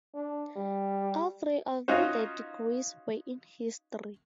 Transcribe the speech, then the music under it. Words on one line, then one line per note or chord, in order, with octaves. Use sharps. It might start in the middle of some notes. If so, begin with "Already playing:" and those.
All three of the degrees were in history.
D4
G3
C#4 D#4 F4 F#4 C5